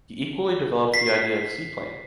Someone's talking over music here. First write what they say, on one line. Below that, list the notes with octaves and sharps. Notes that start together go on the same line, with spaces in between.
He equally developed the idea of seaplane.
B6 C7